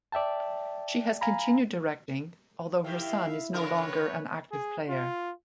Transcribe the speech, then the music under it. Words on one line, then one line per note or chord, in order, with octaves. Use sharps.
She has continued directing, although her son is no longer an active player.
D5 E5 G5 A5
F5 G#5 A#5 B5
D#3 E4 G4 E5 F5
C#3 F3 A#4 B4 C#5
G#4
F4